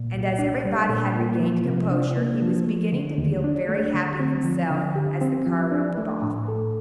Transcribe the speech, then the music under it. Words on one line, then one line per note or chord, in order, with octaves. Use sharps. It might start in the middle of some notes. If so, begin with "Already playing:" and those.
And as everybody had regained composure, he was beginning to feel very happy himself as the car rumbled off.
Already playing: A#2
C2
D4
G3
A#2
A#3
F3
C3
D4
A#3
F3
A3
D3
D#2
D4
A3
D3
C4
F3
D3
G4
C4
F3
D4
A3
A2
A4